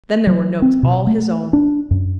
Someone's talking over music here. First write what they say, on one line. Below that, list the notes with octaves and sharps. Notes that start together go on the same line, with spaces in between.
Then there were notes all his own.
F#3
C4
B2
A3
D4
F#2